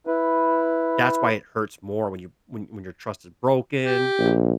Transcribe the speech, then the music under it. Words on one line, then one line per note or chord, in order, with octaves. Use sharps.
that's why it hurts more when you when when your trust is broken,
E4 B4
G4
A#1